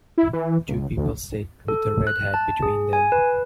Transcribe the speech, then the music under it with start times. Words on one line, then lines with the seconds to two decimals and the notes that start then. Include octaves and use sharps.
Two people sit with a red hat between them.
0.18 E4
0.33 E3
0.68 C#2
0.97 D2
1.68 A4
2.07 F#6
2.34 A5
2.63 G#4
2.93 G#5
3.12 B4